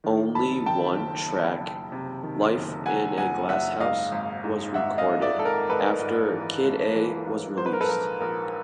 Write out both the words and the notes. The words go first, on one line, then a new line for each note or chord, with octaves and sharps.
Only one track, "Life in a Glasshouse", was recorded after "Kid A" was released.
D#3
F#1 A5 B5
D#3 G5 A5
F#1
F#1
F#1
C3
D#3
F#1
F#1 F#5 G#5
F#1 F#5 G#5
F#1 E5 F#5
G#2 D#5 F5
G#1
G#2
G#1 E5 F#5
D#5 F5
G#1
D5 E5
G#1 A4
A#4
G#1 A4 B4
G#2
E3
G#1
E3
G#2
F#3 C5
B4
A#4
A4 B4
A#1 A#4
A#1 A#4